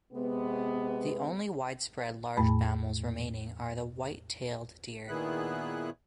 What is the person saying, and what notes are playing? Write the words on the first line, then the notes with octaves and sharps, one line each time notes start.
The only widespread large mammals remaining are white-tailed deer.
C3 G#3 B3
E2 A2 A3 A5 B5
A#2 D#3 B3 E4 G#4 F#6